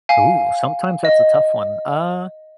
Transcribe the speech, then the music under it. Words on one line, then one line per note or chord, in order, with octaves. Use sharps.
Ooh, sometimes that's a tough one, uh,
F5 G#5
D#5